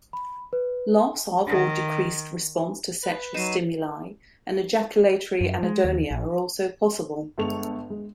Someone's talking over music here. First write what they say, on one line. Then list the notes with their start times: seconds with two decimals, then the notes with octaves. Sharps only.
Loss of or decreased response to sexual stimuli and ejaculatory anhedonia are also possible.
0.13 B5
0.53 B4
1.47 D#3
3.03 B4
3.34 F#3 D#4 C7 D#7 E7
5.41 F#2
5.63 G#3
5.84 D#2
6.11 A#1
7.38 G1 G#3 A4 C#6 F7
7.90 G#3